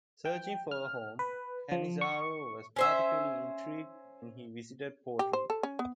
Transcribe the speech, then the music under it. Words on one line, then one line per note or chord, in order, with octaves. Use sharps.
Searching for a home, Canizaro was particularly intrigued when he visited Portland.
G5
F6
B4
F3
C#6
C#4 C5 E5
G4
C5
A4
C#4
B3